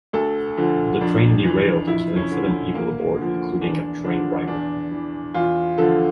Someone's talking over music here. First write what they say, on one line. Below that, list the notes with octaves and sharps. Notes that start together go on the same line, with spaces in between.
The train derailed, killing seven people aboard, including the train driver.
D2 A4
D3 F3
F2 D4
E3
F2 E4
C#4
D3 F3
D2 A#3
D3 F3
E2 D4
D3 F3 D4
E2 D4
E3
E2 F4
D3 F3 A4